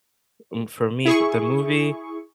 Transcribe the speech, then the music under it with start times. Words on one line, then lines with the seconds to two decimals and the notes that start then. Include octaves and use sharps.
m for me f the movie,
1.05 E4 G#4 C#6